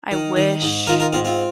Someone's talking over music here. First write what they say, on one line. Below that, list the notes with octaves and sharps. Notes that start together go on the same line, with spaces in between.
I wish
D#3
D#3
G#2
D#3 F4 A#4
F4 A#4
G#2 C4 F4
C4 F4